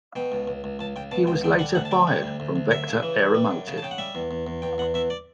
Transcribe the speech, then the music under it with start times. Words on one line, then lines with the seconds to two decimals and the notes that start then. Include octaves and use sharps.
He was later fired from Vector Aeromotive.
0.16 B2 G5
0.32 C#2
0.48 C#2
0.64 C#2
0.79 C#2 A5
0.96 C#2 G5
1.11 B2 A5
1.27 C#2 G5
1.44 D3 G5
1.59 G3 F#5
1.75 D2 F#5
1.85 A5
1.91 G3 G5
2.07 G3
2.23 D2
2.40 D2
2.56 D2
2.71 F#2 E5
2.88 C#3
3.03 E3
3.19 E3
3.35 G3
3.51 F#2
3.68 C#3
3.78 A5
3.82 C#3 G5
3.91 F#5
3.98 G3 E5
4.15 E2
4.31 E2
4.47 E2
4.62 E2 G5
4.78 E2 F#5
4.94 E2 E5
5.10 D5